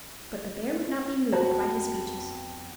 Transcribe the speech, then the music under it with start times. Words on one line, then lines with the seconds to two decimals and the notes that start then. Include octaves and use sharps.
But the bear would not be moved by his speeches.
1.33 F2 B3 F#4 C5 A5